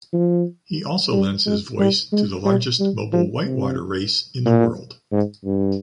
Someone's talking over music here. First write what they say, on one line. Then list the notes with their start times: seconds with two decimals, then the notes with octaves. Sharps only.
He also lends his voice to the largest mobile white-water race in the world.
0.13 F3
1.12 G3
1.46 G#3
1.79 G3
2.12 G#3
2.45 G3
2.80 G3
3.13 F3
3.45 C3
4.45 A#2
5.12 G#2
5.45 G2